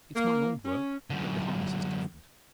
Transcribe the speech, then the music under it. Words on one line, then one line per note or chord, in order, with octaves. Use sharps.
It's my old work, but the harness is different.
A#3
C#4
F#2 D3